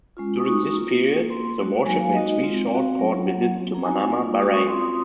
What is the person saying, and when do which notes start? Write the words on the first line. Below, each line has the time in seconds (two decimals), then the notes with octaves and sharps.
During this period, the warship made three short port visits to Manama, Bahrain.
0.17 G#3 C#4 F4
0.39 D#6
0.45 G#3 D#4 F#4 C#6
0.74 A#3 F4
1.02 A#3 F4
1.30 A#3 F4 C6
1.58 G#3 D#4 F#4
1.86 F#3 A#3 D#4 F#4 G#5
2.00 F5
2.14 G#3 D#4 F#4 D#5
2.42 G#3 C4 F4
2.70 C4 F#4 F5
2.99 F#3 C#4 F4
3.26 F#3 A#3 F4 F#5
3.55 F#3 C4 F#4
3.75 A#5
3.83 C4 D#4 F#4 G#5
4.11 A#3 F4
4.39 G#3 C#4 F#4 D#6
4.53 C#6
4.67 C4 C6
4.70 F4
4.81 D#6